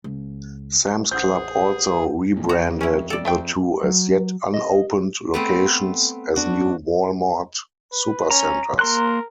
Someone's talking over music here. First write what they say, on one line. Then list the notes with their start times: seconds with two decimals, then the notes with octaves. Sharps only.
Sam's Club also rebranded the two as yet unopened locations as new Walmart Supercentres.
0.04 C#2
1.11 A1 G#4 C5 F#5 G6
2.36 F#2 A#2 E3
2.49 F2 F#4 A#5
2.81 C#4 E4
3.10 A4 D5
3.25 A3 C4 G5
3.83 F#3
4.54 D#5
5.34 A3 B3 C4
6.36 E2 D4 F#4
7.92 B4
8.31 C#4 A#5
8.79 A#3 A#4 C6 F#6